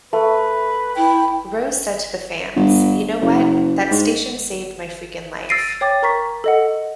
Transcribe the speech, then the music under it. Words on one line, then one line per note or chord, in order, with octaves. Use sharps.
Rose said to the fans, You know what?!, that station saved my freakin' life.
A3 B4
E4 G5
G1
F#1
G#2
E6 A6 A#6 C7 D7 D#7
C#5 G5 D6 A6
A#4 A#5 C#6 B6
A4 D#5 F#5